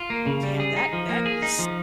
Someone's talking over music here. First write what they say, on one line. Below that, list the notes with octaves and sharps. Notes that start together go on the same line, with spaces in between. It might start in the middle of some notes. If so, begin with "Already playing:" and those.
Yeah, that that was
Already playing: F4
A#3
C#3
G3
G#4
D#4
F3
A#3
G#4
D#4
F3